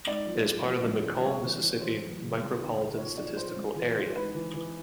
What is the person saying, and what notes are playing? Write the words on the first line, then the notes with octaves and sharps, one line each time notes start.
It is part of the McComb, Mississippi Micropolitan Statistical Area.
G#2 D5
F3
F3
F3
G2
D3
G2 C#5
E3
E3
E3 C5
F#2
C#3
G2
D#3
D#3
A#2 C#5
F3 D5
F3 C5
G2
E3
E3
G#2 B4
E3
E3